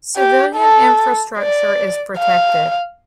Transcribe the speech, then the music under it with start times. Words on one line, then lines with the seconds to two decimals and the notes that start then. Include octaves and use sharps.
Civilian infrastructure is protected.
0.17 G4
0.57 A4
1.38 D5
2.18 F5